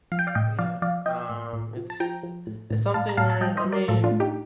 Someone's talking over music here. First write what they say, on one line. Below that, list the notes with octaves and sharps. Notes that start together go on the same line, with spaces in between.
I yeah, um, it's it's something where, I mean,
F3 F5
G5
D5 F5
A2 D#5 G5
F3 D5 F5
F3 D5 F5
F3 D#5 G5
A2
A2
F3
A5
F3 G5 A#5
F3
A2
A2
A2 F5 A5
A#5
A2 F5 A5
A5
G3 D#5 G5
C5 D#5
G3
A#4 D5
A2 F4 A4
D4 F4
A2
D#4 G4